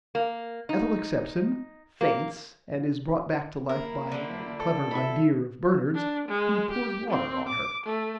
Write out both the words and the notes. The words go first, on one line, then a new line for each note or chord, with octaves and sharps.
Ethel accepts him, faints and is brought back to life by a clever "idear" of Bernard's, who pours water on her.
A#3
D#4
A#3
A#3 E4 A#4
D3 F3
A4
E5 B5
D4
G#3
G4
C4
D6
A3